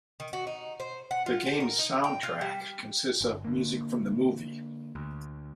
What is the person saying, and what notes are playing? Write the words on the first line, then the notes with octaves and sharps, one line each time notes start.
The game's soundtrack consists of music from the movie.
D#3
F#4
D#4
C5
F#5
F4
G5
A#4
D#4
G5
F4
G3
G1
D3 A#3
D2